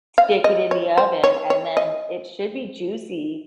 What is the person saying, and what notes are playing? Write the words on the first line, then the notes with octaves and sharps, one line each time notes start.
stick it in the oven and then it should be juicy
F5
D#5
C#5
C5
C#5
C#5
D#5